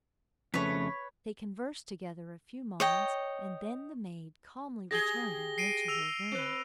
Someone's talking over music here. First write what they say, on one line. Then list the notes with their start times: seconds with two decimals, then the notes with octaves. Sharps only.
They conversed together a few moments, and then the maid calmly returned and went to her room.
0.54 F2 C#3 A3 B4 C#5
2.80 C#5 D#5 G5
4.91 G4 G#4 A#6 G7
5.58 C7 D7 D#7
5.88 E6 F7
6.31 C4 B4